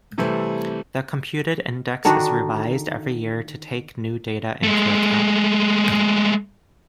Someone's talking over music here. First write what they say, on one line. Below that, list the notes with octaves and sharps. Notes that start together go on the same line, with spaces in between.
The computed index is revised every year to take new data into account.
C3 E3 G3 A3 C4
D3 D#3 D4 F#4
G#3 A3